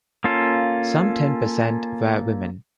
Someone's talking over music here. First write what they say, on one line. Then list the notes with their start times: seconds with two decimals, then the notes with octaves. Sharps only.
Some ten percent were women.
0.24 A#3 C#4 F4 A4